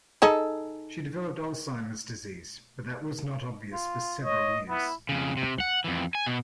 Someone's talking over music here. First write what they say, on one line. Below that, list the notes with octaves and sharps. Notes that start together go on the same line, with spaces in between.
She developed Alzheimer's disease but that was not obvious for several years.
D#4 G#4 A4
F4
C#5 D#5
B3 E4
F2 C#3
C3
F#5
F2 E3
G#5
B2